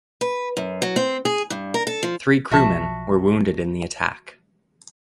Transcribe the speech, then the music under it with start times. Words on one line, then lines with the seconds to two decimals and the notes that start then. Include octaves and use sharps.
Three crewmen were wounded in the attack.
0.21 B4
0.57 F#2
0.82 F#3
0.96 C4
1.25 G#4
1.50 G2
1.74 A#4
1.87 A4
2.03 F3
2.51 B1 F3 F#4 E5 A5